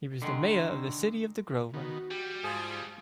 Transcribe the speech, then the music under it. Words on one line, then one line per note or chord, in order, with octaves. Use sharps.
He was the Major of the City of the Grover.
D3 D#3 G#3
D#3 B3 F#4
G3 G4
G#2 F3 G#4